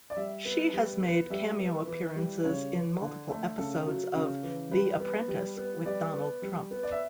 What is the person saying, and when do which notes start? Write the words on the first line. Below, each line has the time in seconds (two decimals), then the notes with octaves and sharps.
She has made cameo appearances in multiple episodes of "The Apprentice" with Donald Trump.
0.10 D5
0.16 G3 E5
0.45 B3
0.73 G3
1.02 B3
1.30 G3 E5
1.59 B3
1.87 E3
2.16 G3
2.44 C#3 C#5
2.72 E3
3.01 D3
3.29 A3
3.58 C#3 A4
3.86 F#3
4.15 C#3
4.43 E3
4.71 G3 B4
5.00 B3
5.28 G3
5.57 B3
5.85 G3 D5
6.14 B3
6.42 G3
6.71 B3
6.83 D5
6.91 E5